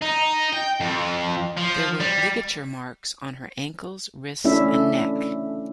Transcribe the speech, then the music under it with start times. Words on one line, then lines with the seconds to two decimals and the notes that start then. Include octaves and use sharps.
There were ligature marks on her ankles, wrists, and neck.
0.01 D#4
0.53 G5
0.80 F2
1.57 F3
2.00 G3
4.44 A3 C#4 D4 E4 A4 E5